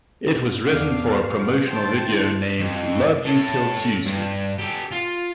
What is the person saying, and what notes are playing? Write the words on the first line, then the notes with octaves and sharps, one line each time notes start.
It was written for a promotional video named "Love You till Tuesday".
E2 B3 D4 F5
F3 F5 F#5 C#6
D3 E4 C5 G5 A5
F2
A4 C#5
G2
G4 A4
F4